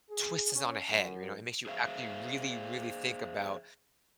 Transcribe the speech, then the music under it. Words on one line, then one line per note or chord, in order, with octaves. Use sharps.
twists it on a head, you know? It makes you actually really, really think about
G#4
C#4
F#2
G#4 C5 E5 F5